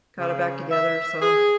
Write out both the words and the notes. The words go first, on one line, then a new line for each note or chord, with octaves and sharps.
got it back together, so
C#3
E5
G#4